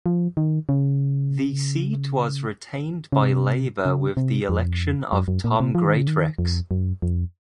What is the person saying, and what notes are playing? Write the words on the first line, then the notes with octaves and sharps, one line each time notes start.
The seat was retained by Labour with the election of Tom Greatrex.
F3
D#3
C#3
C#3
C3
C#3
C3
F2
F#2
F#2
A#2
C3
F3
D#3
C#3
D#3
F2
F#2
F2